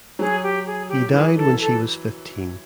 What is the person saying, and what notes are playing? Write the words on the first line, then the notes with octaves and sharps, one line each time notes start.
He died when she was fifteen.
F#3 G#4
G4
G#4
G4
E3 G#4
A4
A4